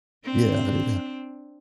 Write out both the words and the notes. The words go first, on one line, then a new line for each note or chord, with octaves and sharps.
Yeah, yeah.
C4 D4